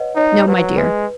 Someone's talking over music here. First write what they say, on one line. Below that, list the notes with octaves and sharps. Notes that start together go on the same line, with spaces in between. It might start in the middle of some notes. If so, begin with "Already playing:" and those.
"No, my dear."
Already playing: B4 C#5 D#5 F#5
D#4 C#5
F#3 B4
G#3 B4